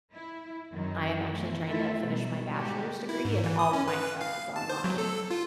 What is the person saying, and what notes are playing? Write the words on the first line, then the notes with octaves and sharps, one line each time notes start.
I am actually trying to finish my bachelor's degree, and all of my stuff is online.
E4
F#2 D#3 F#3
B2 E3 F3 A3
A3 E4 F4 A4 E5
B2 F#3 G3 A3
G#2 D3 F#4 G4
E4
G#2
E3
D#6
C#4
B4
F5
A5
C5
F#3
A4
F4